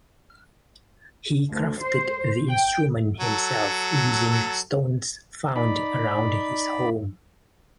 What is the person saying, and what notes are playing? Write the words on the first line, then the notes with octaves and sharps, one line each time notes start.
He crafted the instrument himself using stones found around his home.
D2
C5
G5
F#3 A4
D#4 D5 B5